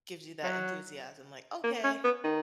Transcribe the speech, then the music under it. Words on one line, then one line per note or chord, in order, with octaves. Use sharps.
gives you that enthusiasm, like, "Okay,
F#3
A#3
C#4
B3
D#3